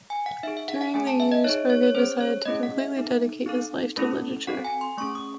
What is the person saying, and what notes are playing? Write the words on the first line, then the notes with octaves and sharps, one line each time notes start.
During the years Verga decided to completely dedicate his life to literature.
G#5
F#5
D#4 G#4 E5
E5
F#5
F#5
A3 C#4 G#4 G#5
A5
E5
D#5
D#4 C#5
G#4
C#5
C#5
C#4 G#4 C5
C#5
A3 C#4 E4 G#4 D#5
F#5
E5
D#4 A4
C4 D#4 A4
A3 C#4 E4 A4
C4 F#4 A4 F#5
G#5
C6
A3 C#4 G#4 C#6
D#6